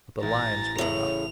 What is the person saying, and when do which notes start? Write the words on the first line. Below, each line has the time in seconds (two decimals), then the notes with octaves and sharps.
But the lines were enough.
0.23 A1 G#5 A#5 A6
0.78 A2 C#3 F7